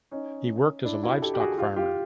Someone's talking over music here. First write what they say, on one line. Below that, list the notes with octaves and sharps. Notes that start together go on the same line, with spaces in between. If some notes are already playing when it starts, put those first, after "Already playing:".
He worked as a livestock farmer.
C#4 D#4
D4 E4
E4 F#4
G4 A4
G4
F#4 G#4
F4 G4
F4 G4